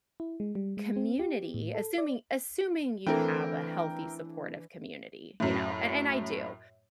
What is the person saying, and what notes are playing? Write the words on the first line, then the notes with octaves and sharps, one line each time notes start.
community assuming assuming you have a healthy supportive community, you know, and and I do.
E4
G#3
G3
G#3
C4
G4
A2
A4
D5
E3 A3 C4 D4 A4 A#4 G5
F#2 A2